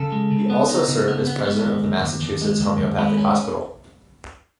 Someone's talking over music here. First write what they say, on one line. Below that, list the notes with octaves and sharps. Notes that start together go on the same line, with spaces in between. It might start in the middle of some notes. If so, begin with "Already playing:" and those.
He also served as president of the Massachusetts Homeopathic Hospital.
Already playing: C#3 A4
G#3
C#3
B3
D#4
C#3
B3
B3
G#3
D#2
D#2
D#2
D#2
G#3
D#2
D#2
G#3 B4
C#4